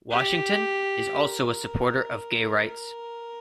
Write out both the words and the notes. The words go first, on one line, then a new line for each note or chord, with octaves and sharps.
Washington is also a supporter of gay rights.
G4
A#4
A#4